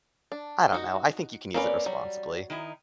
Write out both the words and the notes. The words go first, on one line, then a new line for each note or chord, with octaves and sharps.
I don't know. I think you can use it responsibly.
D4
D#4 F#4
A#3 C4 C#4 B4 D5
F#3 G3
D#3 D#4 E4